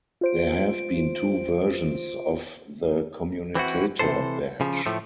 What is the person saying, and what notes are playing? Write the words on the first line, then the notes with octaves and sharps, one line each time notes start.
There have been two versions of the communicator badge.
F4 C5 D7
E3 C4 E4 F#4
C3 E3 A4 C5
C#3 F3
A2 F3 A3